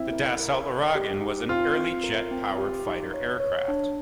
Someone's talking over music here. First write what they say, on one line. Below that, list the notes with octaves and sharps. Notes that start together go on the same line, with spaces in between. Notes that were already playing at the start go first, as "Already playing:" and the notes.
The Dassault Ouragan was an early jet-powered fighter aircraft.
Already playing: C4 E4
A#4
A#4
A#4
G4
D#4
C4 F4
C4
A#4
C4
G4
D#4
C#5
C#5
D4